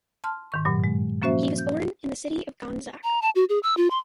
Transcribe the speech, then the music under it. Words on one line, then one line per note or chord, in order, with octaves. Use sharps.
He was born in the city of Gandzak.
A5 C6 F6
G#2 D#3 C#6
G2 A#2 F#3
G#3
F3 A#3 C#4 F#4 C5 E5
G6
A#5
A5
F#4
G#4
E6
F4
C6